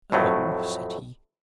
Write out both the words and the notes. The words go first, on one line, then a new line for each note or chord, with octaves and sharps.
"Oh!" said he.
F2 A2 F#3 A3